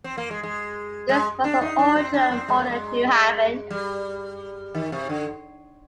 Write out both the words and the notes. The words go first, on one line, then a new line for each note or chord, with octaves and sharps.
This was the origin of modern Newhaven.
C4
A#3
G#3
G#3
G#3
D4
D#4
D4
C4
D4
C4
G#3
A#3
G#3
G3
D#3
C3
D3